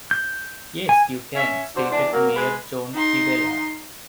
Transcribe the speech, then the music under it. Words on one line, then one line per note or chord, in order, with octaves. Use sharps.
Yes, you can, stated Mayor John Kivela.
G6
G#5
C#4 E5
D3 F#4 C5
E2 D4
F#3 A#3
G#3 B4
D#4 C6